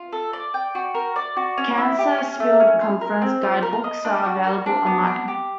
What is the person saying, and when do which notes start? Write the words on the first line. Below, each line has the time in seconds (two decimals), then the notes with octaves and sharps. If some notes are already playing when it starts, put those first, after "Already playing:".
Kansas Field Conference guidebooks are available online.
Already playing: F4
0.12 A4
0.33 D5
0.54 G5
0.75 F#4
0.95 A#4
1.16 D5
1.37 F#4
1.58 C#4
1.78 E4
1.99 G4
2.18 C#4
2.40 A3
2.60 C#4
2.81 F4
3.01 A#4
3.22 C4
3.43 F4
3.62 A#4
3.84 D#5
4.05 D4
4.26 F#4
4.46 A#4
4.66 D4
4.87 B3
5.07 D4
5.28 G4